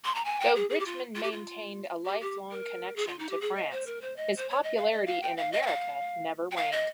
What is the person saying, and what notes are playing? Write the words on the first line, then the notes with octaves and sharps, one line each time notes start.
Though Bridgman maintained a lifelong connection to France, his popularity in America never waned.
C6
A#5
G#5
G5
G#4
G#4
G4
F4
F4
G4
F4
G4
G4
A#4
G#4
F4
D#4
G4
G#4
D#5
C5
A#4
C5
D#5
C5
C#5
D#5
F5
D#5
F5
G5
F5
D#5
G5
F5
G5
F5
D#5